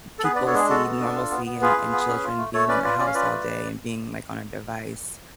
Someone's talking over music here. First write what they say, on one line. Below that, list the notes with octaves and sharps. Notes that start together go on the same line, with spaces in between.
people see normalcy and and children being in the house all day and being, like, on a device,
A4
B3 G#4 B4
B4 D5
D4
A4 C#5
G#3 G#4
F#4 A4
B3
D4
F4
B3
B3
F4 G#4 B4
F4
B3
C#4
F4
A3
A3 A4 C#5
C#4 B4 D5
F4 B4 D5
C#4 D5
F5
F4 B4 D5
A3